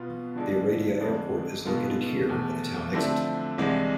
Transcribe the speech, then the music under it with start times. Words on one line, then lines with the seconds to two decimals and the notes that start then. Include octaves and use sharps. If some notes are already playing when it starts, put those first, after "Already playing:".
The Oradea Airport is located here, at the town exit.
Already playing: B2 B3 F4
0.35 D3 F3 G#3 D4 A4
1.00 F2 D3 G#3
1.65 B2 G#3 B3 F4 A4
2.29 E2 B2 A3
2.94 D3 F3 A3 C4 E4
3.58 C2 C3 E3 G#3 D4